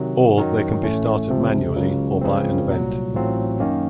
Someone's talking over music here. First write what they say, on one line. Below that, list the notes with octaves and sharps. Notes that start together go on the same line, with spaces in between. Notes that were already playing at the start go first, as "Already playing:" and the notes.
Or, they can be started manually or by an event.
Already playing: C3 D#3 F#3
F#2 D#3 F#3
A1 A2 A3 C#4
C#2 C3 F3 C4
C#2 C#3 F#3
C#2 C#3 F3 C4
C2 A#2 F#3
A1 A2 F#3 C4 F4
F#2 D#3 A#3 C#4